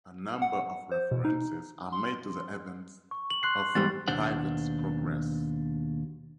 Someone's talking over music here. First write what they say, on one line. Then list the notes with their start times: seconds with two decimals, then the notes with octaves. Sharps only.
A number of references are made to the events of "Private's Progress".
0.42 F#5
0.92 C5
1.11 B2
1.25 D#4
1.93 C6
3.11 C#6
3.30 F#7
3.43 C6 F#6 C7
3.75 E2 G#2 G3 A6
4.08 D#2 B2 D4 C5 F#5